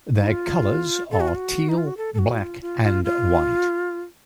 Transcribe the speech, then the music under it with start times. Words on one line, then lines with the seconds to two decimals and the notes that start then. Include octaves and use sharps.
Their colours are teal, black and white.
0.19 D#4
0.26 F4
1.11 A4
1.20 F#4
1.28 F4
1.36 F#4
1.69 D#4
1.78 F4
1.87 F#4
1.97 A4
2.14 A4
2.19 F#4
2.39 F4
2.62 F4
2.83 F4
3.04 F4